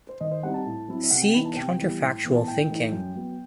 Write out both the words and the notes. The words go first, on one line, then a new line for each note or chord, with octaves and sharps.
See counterfactual thinking.
C5
D#3 D#5
C5
G3 C4 D#4 F#5
A5
A2
F#3 C4 E4
E5
C3 F#5
G5
E3 B3 D#4 B5
A5
C3 G5
E3 G3 B3
A2
E3 B3
A5
A2 G5
E3 A3 D#4
F#2
F#3 B3